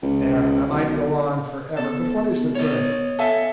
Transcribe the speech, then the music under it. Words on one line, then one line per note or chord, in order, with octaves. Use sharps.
There, I might go on for ever, but what is the good?
C#2
B1
B3 A4
C#5 D#5
A4 E5 G#5